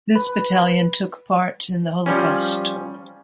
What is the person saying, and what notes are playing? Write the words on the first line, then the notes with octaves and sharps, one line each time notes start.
This battalion took part in the Holocaust.
B4
F3 G3 C#4